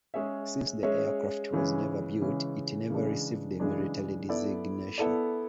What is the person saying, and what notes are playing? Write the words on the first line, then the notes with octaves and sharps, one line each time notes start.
Since the aircraft was never built, it never received a military designation.
G#3 C#4 G#4 C#5 E5
G#3 C#4 G#4 C#5 E5
C#3 E3 G#3 C#4
C#3 E3 G#3 C#4
C#3 E3 G#3 D4
C#3 E3 G#3 D4
B3 E4 A4 D5
B3 E4 A4 D5